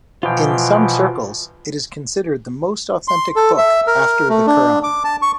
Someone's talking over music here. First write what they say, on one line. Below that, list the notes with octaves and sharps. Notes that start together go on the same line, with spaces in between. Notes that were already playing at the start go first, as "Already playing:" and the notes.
In some circles, it is considered the most authentic book after the Quran.
B2 E3 F3 F4 G5
C6
A4
E5
A#4
A3
D4
D6
A5
C#6